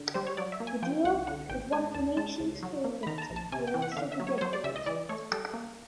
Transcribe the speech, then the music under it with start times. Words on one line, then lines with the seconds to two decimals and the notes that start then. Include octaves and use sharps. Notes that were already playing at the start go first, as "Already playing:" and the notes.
The duo was one of the nation's favorites for the rest of the decade.
Already playing: D3
0.14 G3 C5
0.27 C#5
0.37 F#3 D5
0.52 E5
0.60 A#3
0.67 G#5
0.82 F3 G5
1.04 C2 F#5
1.27 D3 F#5
1.49 G#1 G5
1.72 G#3 G#5
1.94 D#2 A5
2.17 G#3 A5
2.40 C#2
2.63 F#3
2.84 A#3
3.03 B5
3.07 D#3 A#5
3.18 A5
3.22 A#5
3.30 A#1
3.36 A5
3.52 C3 G#5
3.67 G5
3.74 E3
3.82 F#5
3.92 E5
3.96 D3 F5
4.12 E5
4.20 F#3
4.27 C#5
4.38 C#5
4.41 F#3 C5
4.53 D5
4.64 C#2 E5
4.76 D#5
4.86 E3 D5
5.09 A3 C#5
5.32 G3 A4
5.54 A#3